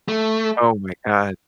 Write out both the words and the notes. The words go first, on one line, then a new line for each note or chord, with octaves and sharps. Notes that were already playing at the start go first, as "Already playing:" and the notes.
Oh my god.
A3